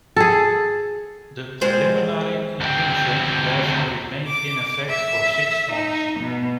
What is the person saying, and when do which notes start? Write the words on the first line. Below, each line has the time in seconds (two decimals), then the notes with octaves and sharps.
The preliminary injunction therefore remained in effect for six months.
0.16 G#4 A4
1.61 G3 G#3 C5
2.61 D2 C4
4.26 D6
4.89 E5
5.71 D#4
6.20 B2